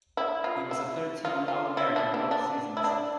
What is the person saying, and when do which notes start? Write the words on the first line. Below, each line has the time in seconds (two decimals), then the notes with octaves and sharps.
He was a third team All American both seasons.
0.17 E4
0.44 F4
0.71 E4
1.25 F4
1.48 F4
1.77 E4
1.96 D4
2.14 E4
2.31 D4
2.77 E4
2.84 D4